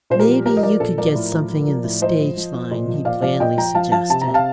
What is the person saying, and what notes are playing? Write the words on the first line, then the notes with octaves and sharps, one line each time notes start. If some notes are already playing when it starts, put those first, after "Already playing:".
"Maybe you could get something in the stage line?" he blandly suggested.
A#2 C5
G4 A#4
F3
F3 G4 A#4
D#5
F3 A#4 D5
A#2 A4
F3 A#4 D5
A2
F3
F3
F3
A2
F3 C5 D#5
F3
F3
F3
A#2
F3
A#2 D5 F5
F3 D5 F5
A#2 D#5 G5
F3 G5 A#5
F3 F5 A5
F3 F5 A5
C3 A5
A#5
C3
F5 A5